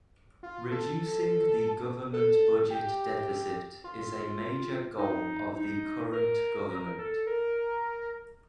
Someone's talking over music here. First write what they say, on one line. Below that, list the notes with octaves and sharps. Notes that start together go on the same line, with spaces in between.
Reducing the government budget deficit is a major goal of the current government.
F4
A4
A4
G4
F4
D#4
D#4
A#4
A#4
A4
A#4